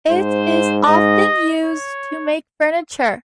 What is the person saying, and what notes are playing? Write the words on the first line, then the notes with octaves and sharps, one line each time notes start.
It is often used to make furniture.
G#2 C5
G#2 D#5
C#5